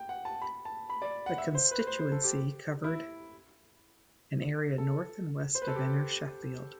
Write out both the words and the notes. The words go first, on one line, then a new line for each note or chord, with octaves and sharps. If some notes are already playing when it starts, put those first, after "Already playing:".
The constituency covered an area north and west of inner Sheffield.
Already playing: G5
F#5
A5
B5
A5
B5
D5
F#5
E5
C5
B4
C5
C5
A4
G4
E4
A4
C5
B4
A4
G4